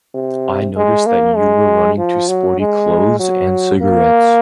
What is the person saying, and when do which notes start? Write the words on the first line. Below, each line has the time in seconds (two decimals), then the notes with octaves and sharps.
I noticed that you were running to sporty clothes and cigarettes.
0.14 C3
0.76 G#3
1.06 A#3
1.36 G#3
1.98 F3
2.28 F#3
2.60 G#3
3.20 F#3
3.82 A#3